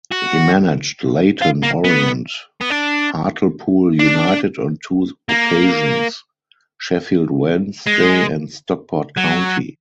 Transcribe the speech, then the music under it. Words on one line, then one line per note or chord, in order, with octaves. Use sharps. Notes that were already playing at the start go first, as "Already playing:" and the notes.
He managed Leyton Orient, Hartlepool United on two occasions, Sheffield Wednesday and Stockport County.
F#4
F4
A#3
B3
B3
D4
D4
A#3
G#3
F#3